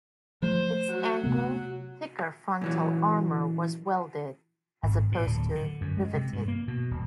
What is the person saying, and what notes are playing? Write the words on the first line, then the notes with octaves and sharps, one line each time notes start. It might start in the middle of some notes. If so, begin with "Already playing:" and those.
Its angled, thicker frontal armor was welded, as opposed to riveted.
F3 A3 C5
F#3 F#4
C3 A3 B3
A#2 E3 F#3
G#1
A#2
D1
D3
F#2
G#3
C3
G2
A#3
B2
D#1